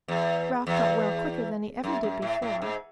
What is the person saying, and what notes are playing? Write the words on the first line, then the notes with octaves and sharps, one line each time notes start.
Ralph got well quicker than he ever did before.
E2
E2
F#2
F#2
A2
A2
G#2